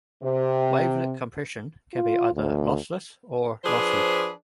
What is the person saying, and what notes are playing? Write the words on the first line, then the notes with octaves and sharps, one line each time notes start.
Wavelet compression can be either lossless or lossy.
C3
F4
D2
F3 D4 G#4 B4 C5